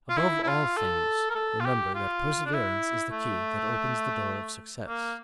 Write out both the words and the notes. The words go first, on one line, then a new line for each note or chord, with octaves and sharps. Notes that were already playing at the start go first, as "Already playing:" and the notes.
Above all things, remember that perseverance is the key that opens the door of success.
F4
E4
E4
F4
A4
A#4
A4
F4
G4
F4
D4
E4
A3
A#3